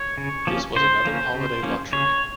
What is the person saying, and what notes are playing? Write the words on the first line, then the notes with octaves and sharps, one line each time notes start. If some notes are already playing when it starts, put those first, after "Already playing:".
This was another holiday luxury.
Already playing: C#5
C#3
F3 A#3 C#4
C#3 C5
F3 A#3 C#4
C#3
F3 A#3 C#4
C#3 C#5